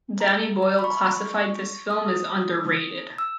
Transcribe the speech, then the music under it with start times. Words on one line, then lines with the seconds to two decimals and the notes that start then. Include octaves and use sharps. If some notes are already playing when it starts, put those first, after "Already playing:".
Danny Boyle classified this film as underrated.
0.20 A#5
0.63 A#5
0.79 B5
0.84 C#6
1.91 D#6
3.18 E6